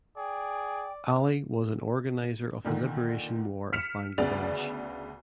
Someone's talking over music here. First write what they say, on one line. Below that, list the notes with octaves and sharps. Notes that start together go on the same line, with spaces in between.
Ali was an organizer of the Liberation War of Bangladesh.
G#4 D5 G5
A#2 D3 D#3
F6 B6 C#7 E7 F7
D2 C#3 B3 D5 A6 F7